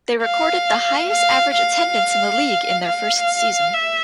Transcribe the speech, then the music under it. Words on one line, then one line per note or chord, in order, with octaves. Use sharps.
They recorded the highest average attendance in the league in their first season.
F5
F5
F5
F5
E5